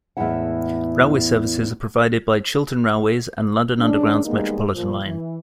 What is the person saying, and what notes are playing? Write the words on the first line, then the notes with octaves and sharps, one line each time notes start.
Railway services are provided by Chiltern Railways and London Underground's Metropolitan line.
E2 A2 E3 G#3 E4 F#5
D#3 G#3 C#4 D4
E2 G3 G#3 A#3 B3 D#4
A#2 F3
E3